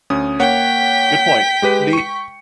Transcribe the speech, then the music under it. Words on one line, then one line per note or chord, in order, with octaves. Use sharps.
good point. The
D2 C#4 D#6
A#3 C#5 F#5 G5 B6
G#3 G4 B4
C#6 C#7